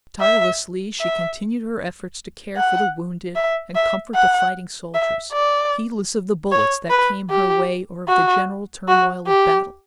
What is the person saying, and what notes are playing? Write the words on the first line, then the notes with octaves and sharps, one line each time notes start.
Tirelessly she continued her efforts to care for the wounded and comfort the fighting soldiers, heedless of the bullets that came her way or of the general turmoil of battle.
E5
E5
F#5
E5
E5
F#5
E5
D5
C#5
B4
G4
F#4
F#4
G4